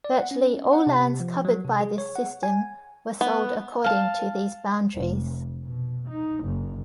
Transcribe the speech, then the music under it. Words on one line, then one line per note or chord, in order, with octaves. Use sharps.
Virtually all lands covered by this system were sold according to these boundaries.
D5
F#5
C#4
F#5
C3
F3
F#3
C3
G#4
C#5
F#5
G#5
B3
F5 A5
F1
B2
D#4
F#1